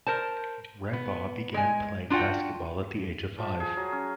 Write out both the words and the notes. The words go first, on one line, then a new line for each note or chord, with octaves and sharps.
Radebaugh began playing basketball at the age of five.
A#4 C5 A5
B3
G#3 G#5
D4 F4 F#4 F#5 G5
F3
G#4
F#3
C#4